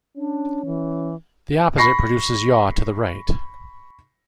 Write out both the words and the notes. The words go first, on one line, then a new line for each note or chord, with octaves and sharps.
The opposite produces yaw to the right.
C#4 D4
E3
B5 C#6 A#6 C7